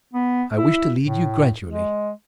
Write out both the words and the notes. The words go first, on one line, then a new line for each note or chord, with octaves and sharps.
I wish to lead you gradually.
B3
E4
A2
G#3